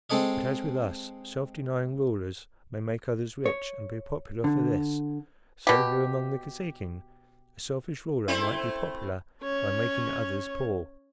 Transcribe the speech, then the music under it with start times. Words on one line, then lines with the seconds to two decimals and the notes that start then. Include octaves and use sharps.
But as with us self-denying rulers may make others rich and be popular for this, so here among the Kosekin a selfish ruler might be popular by making others poor.
0.10 G#3 C4 A4 C#5 D#5
3.46 C#5
4.44 D3
5.67 B2 G4
8.28 A3 C4 E4
9.43 C#4 C#5